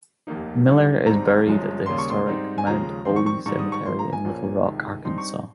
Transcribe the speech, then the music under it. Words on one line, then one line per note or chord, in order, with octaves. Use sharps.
Miller is buried at the historic Mount Holly Cemetery in Little Rock, Arkansas.
F1 D#2 D#3 A#3 D#4
D#2 D#3 G3
G#1 G#2 G3 C4 D#4 A#5
G1 G2 F3 G#3 C#4
D#2 C#3 G3 A#3 C#4 C6
C#6
C6
G#2 G3 C4 D#4
G#5
D#2 C#3 F3 G#3 A#5
F2 D#3 G3 C4 C6
C#6
C#6
G#2 D#3 G3 C#6
D#6
C#6
G1 G2 F3 A#3 C6
A#5
G#5
A#1 A#2 F3 A#3 C#4
C#2 C3 D#3
G2 G3 C4 D#4 C6
C#6